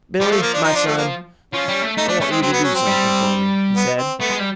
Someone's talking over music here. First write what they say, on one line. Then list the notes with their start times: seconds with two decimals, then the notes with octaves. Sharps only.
"Billy, my son, I want you to do something for me," he said.
0.20 F3 G3
0.31 A3
0.42 A#3
0.54 D4
0.64 D#4
0.76 D4
0.87 A3
0.98 A#3
1.53 F3 C#4
1.68 G3
1.82 A3
1.97 A3 D#4
2.08 A3 D4
2.20 A3 C#4
2.30 G#3 C4
2.42 F#3 C4
2.53 B3
2.64 C#4
2.75 C4
2.86 G3
3.76 B3
3.98 C4
4.20 A3 B3
4.30 G#3
4.39 G3